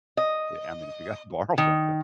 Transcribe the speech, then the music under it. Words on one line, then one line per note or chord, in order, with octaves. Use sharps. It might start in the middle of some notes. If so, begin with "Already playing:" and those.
Eh I mean, if you gotta borrow something.
D#5
D#3